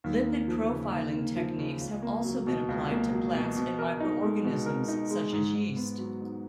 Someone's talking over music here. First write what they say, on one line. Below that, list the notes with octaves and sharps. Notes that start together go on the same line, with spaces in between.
Lipid profiling techniques have also been applied to plants and microorganisms such as yeast.
D#2
A#3
F3
C#3
D#2
A#3
F3
C#3
C#2
A#3
F#3
B2
C#2
A#3
F#3
B2
B2
A#4
D#4
G#3
B2
A#4
D#4
G#3
G#2
G#2
B3
F#3
G#2